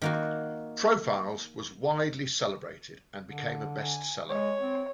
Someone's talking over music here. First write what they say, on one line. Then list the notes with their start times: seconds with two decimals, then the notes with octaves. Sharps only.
"Profiles" was widely celebrated and became a best seller.
0.02 D#3 A#3 F#4
3.24 D3
3.83 G#5
4.29 G#3 C#5
4.61 C4